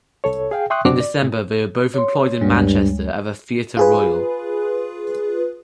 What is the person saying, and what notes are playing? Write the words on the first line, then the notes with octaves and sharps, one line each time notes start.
In December they were both employed in Manchester at the Theatre Royal.
C2 A4 C#5
G#4 F5 G5
E5 G5 C6 C#6 D#6 F#6
F#2 C#3 C4 D4 F#4 D6
D5
A2
C#5 C6
D2 G2 G3 G#3
F4 G#4 B4